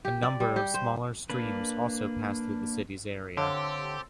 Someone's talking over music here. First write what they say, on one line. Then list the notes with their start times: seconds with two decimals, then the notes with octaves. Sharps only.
A number of smaller streams also pass through the city's area.
0.05 G4
0.23 D5
0.40 G3
0.56 G4
0.74 C5
1.30 A#3 D4 B4
3.37 D3 C4 G4 A4 C#5 F5